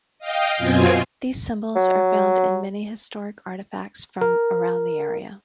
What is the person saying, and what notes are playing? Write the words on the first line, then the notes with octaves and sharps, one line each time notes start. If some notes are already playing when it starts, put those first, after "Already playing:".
These symbols are found in many historic artifacts from around the area.
D#5 F5 G5
F#2 B2 C4 F4 G#5
F#3
A#4